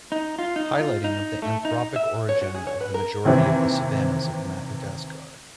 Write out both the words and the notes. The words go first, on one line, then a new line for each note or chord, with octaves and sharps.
Highlighting of the anthropic origin of the majority of the savannas of Madagascar.
D#4
F4
D#4
F4
D#4
A3
D#4
E5
C#5
F#4
G#4
C#5
B4
A#4
D#2 C3 E3 C4